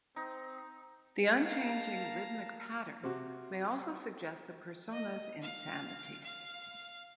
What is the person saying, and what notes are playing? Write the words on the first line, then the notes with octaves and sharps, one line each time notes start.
The unchanging rhythmic pattern may also suggest the persona's insanity.
C4 D#4
A#3 F5 A5 A#5
C3 F#4
D#5
F5
F5